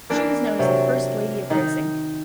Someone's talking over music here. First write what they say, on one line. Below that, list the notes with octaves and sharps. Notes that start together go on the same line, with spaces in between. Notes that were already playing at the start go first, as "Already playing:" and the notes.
She was known as the first lady of racing.
E3 A#3 D4
C3 F#3
D#3 D#4